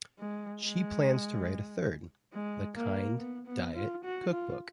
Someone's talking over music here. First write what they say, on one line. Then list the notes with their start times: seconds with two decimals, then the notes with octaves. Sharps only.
She plans to write a third, "The Kind Diet Cookbook".
0.19 G#3
0.62 G#3
2.33 G#3
2.75 A#3
3.18 B3
3.46 B3
3.75 F4
4.04 F#4
4.32 F4